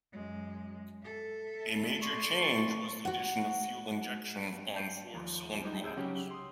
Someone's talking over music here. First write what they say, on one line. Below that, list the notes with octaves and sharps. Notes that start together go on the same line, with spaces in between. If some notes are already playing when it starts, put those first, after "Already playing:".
A major change was the addition of fuel injection on four-cylinder models.
F#2 G#3
A4 E5
D5 C6 C#6
F#4 F#5
G6 C7 C#7
D#2 F3
G3 G#3 D#4
C2 G#4 E6 G6 D7
C#3 F#3 C#4 G4
C6 D#6